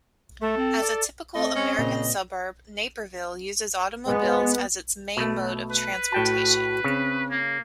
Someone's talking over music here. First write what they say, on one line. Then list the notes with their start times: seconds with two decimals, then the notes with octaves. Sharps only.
As a typical American suburb, Naperville' uses automobiles as its main mode of transportation.
0.41 A3 A4
0.57 C4
0.82 D5
1.35 A3 C4 D#5
1.55 C#4
1.79 A#2 C#3
4.07 G#3 B3
5.17 B2 A3
5.71 B4
6.12 A2 F#4 G5 A5
6.84 C#3 C4
7.30 A#3